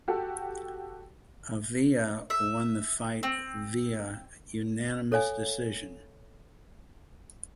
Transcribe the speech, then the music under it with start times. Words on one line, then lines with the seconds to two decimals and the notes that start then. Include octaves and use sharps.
Avila won the fight via unanimous decision.
0.08 F#4 G4 A4
2.30 E5
3.23 C4
5.12 A4 C#5 F5 G#5